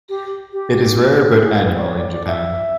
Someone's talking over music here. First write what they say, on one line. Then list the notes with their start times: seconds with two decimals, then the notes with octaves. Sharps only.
It is rare but annual in Japan.
0.09 G4
0.52 G4
1.40 G#4
1.61 B4
1.73 C5
1.78 D5
1.83 C#5
1.98 D5
2.12 D5
2.27 E5